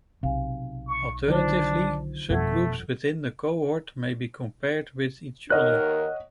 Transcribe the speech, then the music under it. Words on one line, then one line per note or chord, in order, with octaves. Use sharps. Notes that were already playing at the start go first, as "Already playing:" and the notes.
Alternatively, subgroups within the cohort may be compared with each other.
B1 C3 F5 G#5
C#6
D3 D#3 F#3 D4 D#4 F4 C5
G1 F2 B2 F3 A3 A4 F#5 G#6
D#2 D#3 A#4 C#5 D#5 F#5 F6 F#6